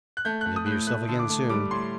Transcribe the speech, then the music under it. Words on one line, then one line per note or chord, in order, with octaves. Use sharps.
You'll be yourself again soon.
F#6
A3 G6
A3 F#6
D#6
A2 F#6
G6
A3 F#6
D3
D6
A3
G3 D6
A2 C6